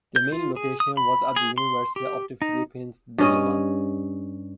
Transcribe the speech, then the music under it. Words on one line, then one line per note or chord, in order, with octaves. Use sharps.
The main location was at the University of the Philippines Diliman.
G6
F4
G#4
D#6
B5
G#4
C6
G4
D#4
G2 C#4 D#5